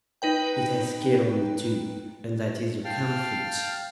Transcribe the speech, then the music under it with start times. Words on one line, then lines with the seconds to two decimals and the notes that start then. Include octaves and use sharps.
"It has killed me too, and that is a comfort."
0.22 D#4 B4 G5
2.85 F5 G5 A5 F6